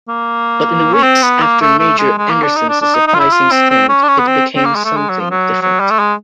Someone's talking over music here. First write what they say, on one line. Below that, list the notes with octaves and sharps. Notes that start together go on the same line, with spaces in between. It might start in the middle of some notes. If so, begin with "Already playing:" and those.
But in the weeks after Major Anderson's surprising stand, it became something different.
A#3
C#4
C4
B3
A#3
A3
A3
G#3
G#3
A#3
D4
D#4
D4
D4
D#4
D#4
F4
E4
F4
C4
C4
C#4
D4
C#4
B3
C4
C4
A#3
G#3
A3
G#3
F#3
F3
F#3
F#3
G3
A3
G#3